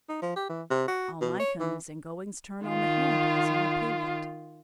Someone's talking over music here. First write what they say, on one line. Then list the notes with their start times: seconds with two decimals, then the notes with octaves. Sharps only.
All my comings and goings turn on the hand as on a pivot.
0.09 D#4
0.22 F3
0.36 G4
0.49 E3
0.70 C3
0.88 F#4
1.21 B2
1.39 C#5
1.60 E3
2.65 D#3 F4